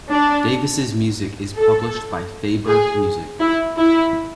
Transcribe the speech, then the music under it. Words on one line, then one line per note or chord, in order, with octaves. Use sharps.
Davis's music is published by Faber Music.
D4
A4
G#4
E4
E4